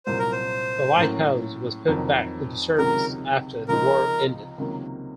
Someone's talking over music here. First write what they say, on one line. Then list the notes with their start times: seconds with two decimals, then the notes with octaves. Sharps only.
The lighthouse was put back into service after the war ended.
0.06 C2 A#2 F#3 A#3 C5
0.19 A#4
0.32 C5
0.96 A2 F#3 A#3 C#4
1.88 F2 D#3 F#3
2.78 C#2 C3 D#3 F#3 A#4
3.68 C#2 C3 F3 C4 D#4 A#4
4.58 C#2 C3 D#3 F#3 A#3